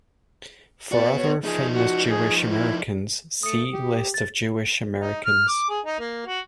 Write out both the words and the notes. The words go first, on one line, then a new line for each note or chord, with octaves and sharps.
For other famous Jewish Americans, see List of Jewish Americans.
B3 F#4 D5
C#5
F3 D#4 G#4
F#4
G#4
E4
A3 D#6 C#7
G4
A6
D#4
F6
D6
G#4
D#4
A#3
F#4